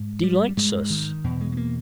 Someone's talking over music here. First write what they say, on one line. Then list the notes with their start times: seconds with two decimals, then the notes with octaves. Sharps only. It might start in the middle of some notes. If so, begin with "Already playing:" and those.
Delights us.
Already playing: G#2
0.23 G3
0.57 G#2 G#3
0.90 D#3
1.24 E2 B2
1.41 G#3
1.52 G#3
1.57 A#3